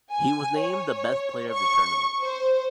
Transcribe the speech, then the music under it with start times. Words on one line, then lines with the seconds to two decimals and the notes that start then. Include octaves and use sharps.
He was named the best player of the tournament.
0.12 G#5
0.57 C#5
1.53 C#6
2.21 C5